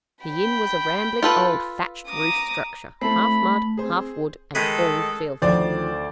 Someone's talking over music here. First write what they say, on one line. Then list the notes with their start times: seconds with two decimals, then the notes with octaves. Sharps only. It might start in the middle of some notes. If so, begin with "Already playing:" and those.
The inn was a rambling old thatched-roofed structure, half mud, half wood, and all filth.
0.24 G5 B5
1.23 F4 A4 B4
2.07 A#5 D6 D#6
3.01 A3 C4 E4 A4 B5
3.77 C4 G#4 C5
4.55 D#3 G#3 A4 B4
5.42 D2 D#3 F3 C5 D5